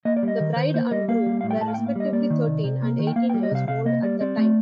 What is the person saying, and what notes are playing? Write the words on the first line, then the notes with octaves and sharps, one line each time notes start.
The bride and groom were respectively thirteen and eighteen years old at the time.
A#3 D#5
D5
G3
D#5
D#3
D#3 C5
A#3 C5
G3 D#5
A#3 F5
G3
A2 F5
G5
A2 A5
F5
A#3 G5
F5
G3 D#5
A#3 D5
D#3
C3
C3
A#3
D#3
G5
A#3 F5
G5
G3
D#5
C3 F5
C3 F5
A#3 D#5
G3 D5
C4 D5
A3